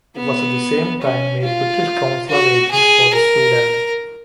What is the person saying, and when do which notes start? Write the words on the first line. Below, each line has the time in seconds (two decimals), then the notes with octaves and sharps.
He was at the same time made British consular agent for the Sudan.
0.17 B3
1.01 C#4
1.44 F4
2.29 F#4
2.71 G#4
3.13 A#4